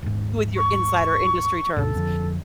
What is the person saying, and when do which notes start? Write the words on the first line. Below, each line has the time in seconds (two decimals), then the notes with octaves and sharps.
With your insider industry terms.
0.02 D#1 G#2
0.57 C#6
1.77 D2 G2 B2 A4
1.95 F2 D3 F3